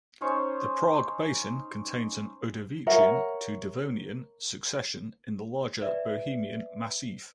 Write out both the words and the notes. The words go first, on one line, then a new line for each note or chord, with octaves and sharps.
The Prague Basin contains an Ordovician to Devonian succession in the larger Bohemian Massif.
C#4 D#4 C5 C#5
A#4 C#5 E5 F#5
B4 D5 E5